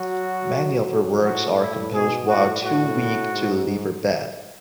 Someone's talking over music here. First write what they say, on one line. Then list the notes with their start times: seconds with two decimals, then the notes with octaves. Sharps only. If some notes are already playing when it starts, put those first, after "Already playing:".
Many of her works are composed while too weak to leave her bed.
Already playing: F#3 F#4
0.55 F#3
1.24 A2 F#4
1.59 E4
1.93 B2 G#4
2.27 A2 F#4
2.62 A2 F#4
3.31 G#2